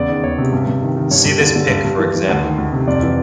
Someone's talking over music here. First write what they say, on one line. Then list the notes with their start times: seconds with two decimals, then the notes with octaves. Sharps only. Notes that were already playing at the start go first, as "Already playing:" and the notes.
See this pic for example.
Already playing: E2 C#3 D5
0.09 D#3
0.23 E2 C#5
0.38 C3
0.53 G2
0.67 G2
0.82 D#3
0.96 D#3
1.11 G2 C#5
1.25 G2
1.41 D3
1.56 D3
1.70 G2
1.85 G2
1.99 E3
2.15 E3
2.29 D2
2.44 D#3
2.58 D2
2.73 C3
2.88 F2 D5
3.02 E3